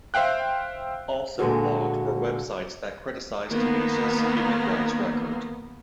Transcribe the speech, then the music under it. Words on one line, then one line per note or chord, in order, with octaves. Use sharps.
Also blocked were Web sites that criticize Tunisia's human rights record.
C5 E5 F5 G5 F#6
A#2 D3 G#3 F#4
D#3 A#3 B3